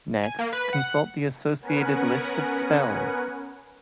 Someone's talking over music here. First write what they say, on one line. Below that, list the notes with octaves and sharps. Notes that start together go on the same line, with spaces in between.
Next, consult the associated list of spells.
G#5
A#3
B4
F#5
B3 C#4 A#4 B4 F#5 G#5